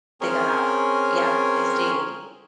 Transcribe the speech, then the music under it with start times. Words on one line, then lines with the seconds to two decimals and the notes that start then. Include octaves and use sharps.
they got out. Yeah, they stayed.
0.21 C4 C#4 G#4 A#4 C#5 G#5